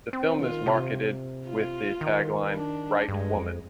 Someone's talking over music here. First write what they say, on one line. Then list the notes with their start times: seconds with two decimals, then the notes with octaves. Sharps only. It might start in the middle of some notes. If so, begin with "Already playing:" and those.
The film is marketed with the tagline: Right woman.
0.13 C4
0.40 D#3 F4
0.66 C3
1.47 F4
2.01 D#3
2.55 D4
3.09 G2 G#3
3.35 F2